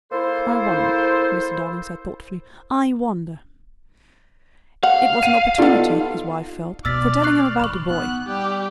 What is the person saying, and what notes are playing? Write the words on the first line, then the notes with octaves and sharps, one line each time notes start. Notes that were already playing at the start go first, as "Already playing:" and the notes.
"I wonder," Mr. Darling said thoughtfully, "I wonder." It was an opportunity, his wife felt, for telling him about the boy.
A#3 E4 A4 C5
F5 F#5
D#7
G3 B3 D#4 F4 A4
B2 D5 E6 F6 A6 B6
C#6 F#6 C7
A2 F3 B5 C#6
B3 D#4 F#6
G3 G4